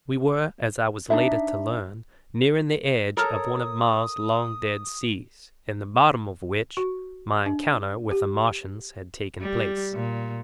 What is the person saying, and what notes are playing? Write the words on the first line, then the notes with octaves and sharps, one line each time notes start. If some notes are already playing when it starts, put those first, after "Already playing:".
We were, as I was later to learn, nearing the edge of one of Mars' long-dead seas, in the bottom of which my encounter with the Martians had taken place.
D4 D#4 E5
A4 A#4 C#5 A#5 D#6
F#4
D4
G4
G3
A#2